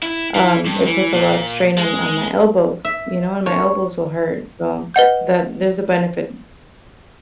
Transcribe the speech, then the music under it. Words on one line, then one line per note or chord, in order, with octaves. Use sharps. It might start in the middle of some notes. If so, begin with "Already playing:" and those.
um, it puts a lot of strain on on my elbows, you know? And my elbows will hurt. So that there's a benefit
E4
E3
G2
E3
A#2
G#3
E5
C#5
B4 D#5 F#5 G6